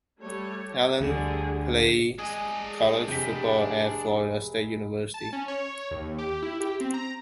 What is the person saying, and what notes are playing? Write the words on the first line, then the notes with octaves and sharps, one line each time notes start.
Allen played college football at Florida State University.
G3 A3 C#5
D2 D3 G3 G#4
G#3 D4 G#4 D#5
F1 G4 G#4 B6
A5
C#4
C#5
D#2
G4
E4
G4
C4
A#5